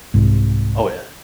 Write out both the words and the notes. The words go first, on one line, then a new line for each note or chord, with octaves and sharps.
Oh, yeah.
C2 G#2